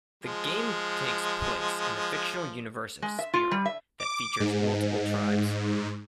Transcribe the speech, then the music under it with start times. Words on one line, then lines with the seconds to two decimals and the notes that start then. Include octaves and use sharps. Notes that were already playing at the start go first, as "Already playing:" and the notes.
The game takes place in the fictional universe of Spira that features multiple tribes.
0.24 F3 G#3
3.02 G#3
3.19 E5
3.34 F4
3.51 G3
3.66 E5
4.00 D6
4.40 G#2